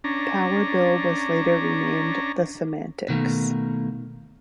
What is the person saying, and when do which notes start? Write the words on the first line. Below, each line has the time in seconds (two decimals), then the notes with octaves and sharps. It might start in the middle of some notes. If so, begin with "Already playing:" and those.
Power Bill was later renamed The Semantics.
0.04 C#4 D4 A#5
3.08 B2 D#3 A3 A#3